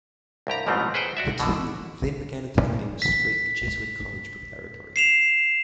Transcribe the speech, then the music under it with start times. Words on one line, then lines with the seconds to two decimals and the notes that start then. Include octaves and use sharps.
The two then began attending Strake Jesuit College Preparatory.
0.47 C2 G2 G4 A#5
0.67 A1 G#2 B2 F3 A3 C4
0.94 G#4 B4 C5 F#5 G5
1.17 F#4 D5 E5
1.40 B2 D3
3.02 B6
4.96 C7 E7 F7